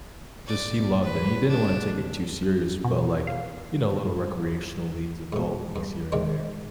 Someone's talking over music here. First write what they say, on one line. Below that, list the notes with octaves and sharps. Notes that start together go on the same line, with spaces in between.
just he loved it, and he didn't wanna take it too serious, but, like, you know, little recreational leagues, adult leagues here and there.
D5
B4
D4
B2
F5
G#2 B2
G2
C3 D#3 G#3 C4 D4